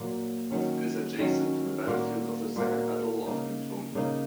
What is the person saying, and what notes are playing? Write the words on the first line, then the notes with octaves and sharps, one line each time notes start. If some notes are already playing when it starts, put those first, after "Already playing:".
It is adjacent to the battlefield of the Second Battle of Newtonia.
Already playing: A#2 F#3 A#3
D#3 F#3 C#4
D#3 F#3 C#4
A#2 A#3 F#4 A#4
A#2 A#3 F#4 A#4
C#3 A#3 D#4
C#3 A#3 D#4